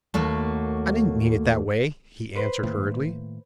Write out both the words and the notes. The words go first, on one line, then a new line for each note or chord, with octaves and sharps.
'I didn't mean it that way,' he answered hurriedly.
D#2 A3 A#3 F#4
B4 C5
A2 D#3 A#3